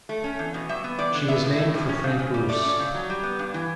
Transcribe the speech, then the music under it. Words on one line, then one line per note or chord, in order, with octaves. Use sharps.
She was named for Frank Bruce.
A3
C#4
E2
B2
G3 E5
B3
E2 D5
D3
B3 E5
A2
A2
G3
C#4
C#3
C#3
G3
A3 D5
C#4
C#3
F#3
G3
B3
G2
E3